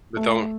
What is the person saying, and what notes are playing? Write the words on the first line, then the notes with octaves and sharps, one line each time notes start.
but don
A3